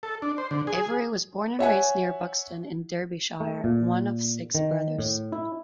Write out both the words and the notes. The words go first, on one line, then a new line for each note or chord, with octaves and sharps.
Avery was born and raised near Buxton in Derbyshire, one of six brothers.
A4
D4
C5
D3
G#4
C#5 E5 F#5 G#5
A3
A#2
D#3
A2
E4